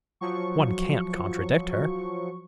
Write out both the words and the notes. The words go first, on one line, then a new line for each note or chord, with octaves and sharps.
One can't contradict her.
F3 F#3 C#6